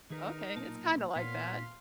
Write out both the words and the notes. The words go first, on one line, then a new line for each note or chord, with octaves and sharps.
Okay, it's kinda like that.
D#3 D#4 G#4 A#4 B4
B1 A#2 A5
A#2 B3 C#5 F5 C6 B6